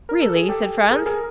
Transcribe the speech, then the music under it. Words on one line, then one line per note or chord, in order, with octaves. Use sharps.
"Really?" said Franz.
A#4
A4
G#4
G4 A4
G#4 A#4
G#4 A#4